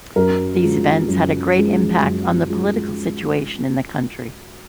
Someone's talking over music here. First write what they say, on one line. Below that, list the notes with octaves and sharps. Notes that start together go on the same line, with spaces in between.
These events had a great impact on the political situation in the country.
F#2 A#4
F3 G#3
F#2
F3 G#3
F#2
F3 G#3